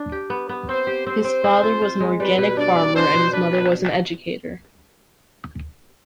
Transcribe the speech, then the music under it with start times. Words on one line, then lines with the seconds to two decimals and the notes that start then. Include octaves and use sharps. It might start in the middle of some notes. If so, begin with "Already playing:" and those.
His father was an organic farmer and his mother was an educator.
Already playing: D4
0.12 G4
0.30 B3
0.49 B3
0.68 C4 C5
0.87 G4
1.06 C4 C5
1.24 C4
1.44 C4
1.63 F4
1.82 F4
2.00 G#3
2.20 G3 B4
2.38 B2
2.57 D4 D5
2.76 D4
2.95 D4 C5
3.14 B2
3.33 D4 B4